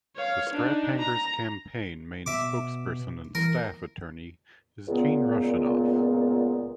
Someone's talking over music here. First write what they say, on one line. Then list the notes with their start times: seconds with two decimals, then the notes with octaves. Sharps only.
The Straphangers Campaign's main spokesperson and staff attorney is Gene Russianoff.
0.16 C#5 F5
0.50 D4 D#4
0.99 A#5
2.26 B2 E5 D6
3.35 E3 A#4
4.88 C#2 A#2 B3